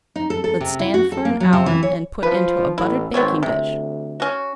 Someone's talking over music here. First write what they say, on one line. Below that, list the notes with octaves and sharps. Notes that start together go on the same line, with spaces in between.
Let stand for an hour and put into a buttered baking-dish.
D#4
A4
A4
C3
E4
F#4
A4
A#3
F#3
C3
E3
C#5
F3 B4
A1 E4
G#1 B3 C4 C#5
D2 C3
C#4 F#4